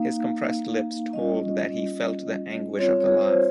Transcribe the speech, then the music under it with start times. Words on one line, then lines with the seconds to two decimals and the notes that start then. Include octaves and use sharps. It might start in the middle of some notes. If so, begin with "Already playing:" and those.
His compressed lips told that he felt the anguish of the laugh.
Already playing: A#3 D#4 F5
1.13 G3 C#4 F4 D#5
2.79 G3 C4 F4 C#5
3.00 C#5
3.21 C5